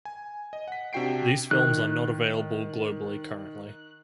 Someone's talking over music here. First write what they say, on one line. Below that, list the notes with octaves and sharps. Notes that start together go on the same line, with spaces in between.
These films are not available globally currently.
G#5
D#5
F#5 B6
C3 D4 F#4 G5 C7 D7
D#3 F#6